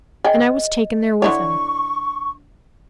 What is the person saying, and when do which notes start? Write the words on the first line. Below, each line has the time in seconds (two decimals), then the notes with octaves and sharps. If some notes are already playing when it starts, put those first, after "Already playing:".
And I was taken there with him.
0.24 G#4 D#5 G5
1.22 D3 E4 C#5 C#6